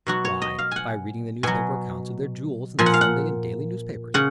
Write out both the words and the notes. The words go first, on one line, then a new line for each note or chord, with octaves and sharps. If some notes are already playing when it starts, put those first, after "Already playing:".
Why, by reading the newspaper accounts of their jewels in the Sunday and daily newspapers.
B2 F#3 F#4
C#5
D#5
F5
F#5 G#5
B2 F#3 G#5
A#2 F3 G#5
F#5
F5
F#5
C#3 F#5